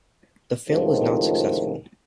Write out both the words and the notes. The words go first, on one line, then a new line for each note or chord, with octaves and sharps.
The film was not successful.
C#2 A2 C3 D#3 F3